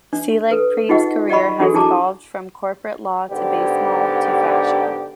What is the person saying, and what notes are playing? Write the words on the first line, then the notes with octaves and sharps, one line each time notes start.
Selig-Prieb's career has evolved from corporate law to baseball to fashion.
D4
A4 B4
D#4 F4 G4 G#4 D#5 F#5
G4 D5 D#5 F#5 B5 C#6
D4 F#4 G#4 A4
D4 E4 G#4 A5 A#5 D6
G#2 D3 B3 D4 G4